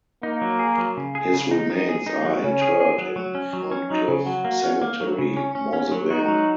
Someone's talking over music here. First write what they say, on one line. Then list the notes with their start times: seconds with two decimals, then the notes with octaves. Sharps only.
His remains are interred in Ferncliff Cemetery Mausoleum.
0.23 A#3 D#4
0.42 F#3
0.59 G#4
0.78 F#3
0.97 C#3
1.15 G#4
1.33 C#3
1.51 D#4
1.70 D#4
1.89 G#4
2.06 D#4
2.25 F#3
2.43 C#3 C#4
2.62 G#4
2.80 G#4
2.98 F#3
3.16 F#3
3.35 C#4
3.53 F#3
3.71 C#4
3.90 F#3 D#4
4.08 C#3
4.26 F#3 F#4
4.45 A#3
4.64 C#4
4.82 A#3
5.01 F#3
5.18 C#3
5.37 C#4
5.55 C#4
5.73 C#4
5.92 F#3
6.10 D#4 F#4
6.28 F#3